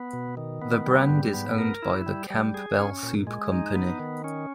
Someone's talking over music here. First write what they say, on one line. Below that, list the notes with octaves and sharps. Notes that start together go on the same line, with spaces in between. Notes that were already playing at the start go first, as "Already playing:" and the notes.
The brand is owned by the Campbell Soup Company.
Already playing: B3
B2
D#3
B3
G3
G#2
B3
A#4
E4
G3
G3
G#4
C#4
A#2
G#3
D#4
B3
D#3
C#4